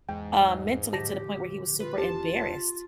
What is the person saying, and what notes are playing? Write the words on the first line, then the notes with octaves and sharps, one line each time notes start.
uh, mentally to the point where he was super embarrassed.
E2 G#2 G5
A2 D3 F3 G4 A5 A#6
F4 B4
E1 C#4 F4 G4 A5